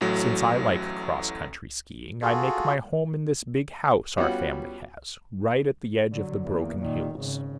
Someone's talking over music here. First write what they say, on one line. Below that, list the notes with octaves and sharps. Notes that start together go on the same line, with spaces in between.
Since I like cross-country skiing I make my home in this big house our family has, right at the edge of the Broken Hills.
A1 A2 F#3 A4
F4 F#4 G#4 A4
G3 B3 C#4 F4 F#4 F#5
D3 F#3
E2 A#3
A#2 D#3
G#1 C#3